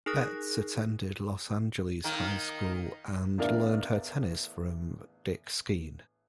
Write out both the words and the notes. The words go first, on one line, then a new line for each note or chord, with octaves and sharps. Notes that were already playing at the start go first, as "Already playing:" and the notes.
Betz attended Los Angeles High School and learned her tennis from Dick Skeen.
D#4 G#4 A#4 D#6 F#6 A#6
D#3 A#3
A1 E2 D4 A#4 D5 F5